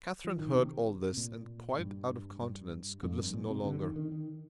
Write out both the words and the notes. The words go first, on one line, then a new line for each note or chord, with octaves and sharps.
Catherine heard all this, and quite out of countenance, could listen no longer.
F3
D#3
C3
A#2
G2
G2
F2
G2
A#2
C3
D3
D#3
D#3
D#3